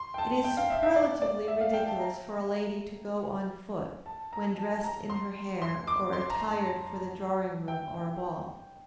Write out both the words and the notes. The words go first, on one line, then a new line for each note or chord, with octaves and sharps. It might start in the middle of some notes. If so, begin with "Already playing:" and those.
It is superlatively ridiculous for a lady to go on foot, when dressed in her hair, or attired for the drawing-room or a ball.
Already playing: C6
G5
A5
G5
F5
E5
E5
D5
D5
E5
F5
G5
A5
A#5
A5
A#5
A5
A#5
C6
C6
D6
C6
A#5
A5
G5
G5